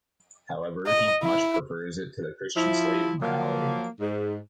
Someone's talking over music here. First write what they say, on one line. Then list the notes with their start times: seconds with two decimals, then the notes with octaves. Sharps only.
However, he much prefers it to the Christian slave-morality.
0.86 D#5
1.23 E4
2.56 F3 E4
3.22 F3 F#3 A#3
4.00 G#2